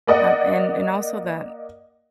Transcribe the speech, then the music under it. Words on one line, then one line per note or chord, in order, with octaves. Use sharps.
Um, and and also, that
A#3 D5 D#5 F#5